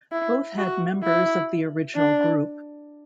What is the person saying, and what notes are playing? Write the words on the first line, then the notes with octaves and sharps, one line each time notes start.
Both had members of the original group.
E4
F#4
E4
D4